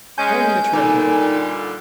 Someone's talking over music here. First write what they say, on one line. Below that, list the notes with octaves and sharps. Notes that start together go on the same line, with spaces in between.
Hang the treasure!
G#3 C#4 G#5 G6
A#2 D3 G3 D#4